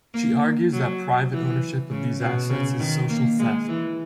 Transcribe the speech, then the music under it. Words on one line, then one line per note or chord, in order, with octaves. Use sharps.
She argues that private ownership of these assets is social theft.
A#3
F#3
E3
C#3
B2
C#3
D#3
A#3
G#3
E3